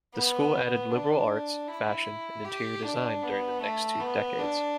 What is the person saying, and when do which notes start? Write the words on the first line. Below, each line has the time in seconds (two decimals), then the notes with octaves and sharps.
The school added liberal arts, fashion, and interior design during the next two decades.
0.14 B3
0.91 D4
1.68 E4
2.45 G4
2.83 D4
3.22 B3
3.61 A3
4.00 B3
4.38 D4